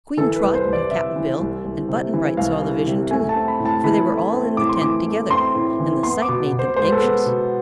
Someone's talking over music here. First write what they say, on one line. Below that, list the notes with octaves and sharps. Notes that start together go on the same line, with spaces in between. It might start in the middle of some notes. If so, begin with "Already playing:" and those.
Queen Trot and Cap'n Bill and Button-Bright saw the vision, too, for they were all in the tent together, and the sight made them anxious.
E3 A4
B4
C2
C5
C2
D5
C3 E5
E3
C2
C2
C3
E3
C2 F5
C2
C3
A3 G#5
A5
C4
B5
A2
A5
E3 B5
A3
C4
A2 D6
C6
E3 D6
A3
C4 C6
A2
E3
B3 C6
D6
B2
B2
C5
G#3 C5
B4
A4
B3 B4
B2